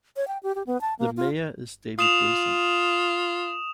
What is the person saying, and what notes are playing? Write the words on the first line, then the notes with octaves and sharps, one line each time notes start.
The mayor is David Willson.
C#5
G5
G4
G4
B3
A5
A#3
F4
F4 D#6 E7 F7